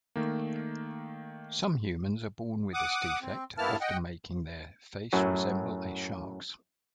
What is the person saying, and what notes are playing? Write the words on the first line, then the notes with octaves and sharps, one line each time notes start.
Some humans are born with this defect, often making their face resemble a shark's.
D#3 A3 A#3
F#5 D6 D#6
C4
G2 A#3 B3 E4 A5 F6
D#5 F#5 G5
F#2 A2 F#3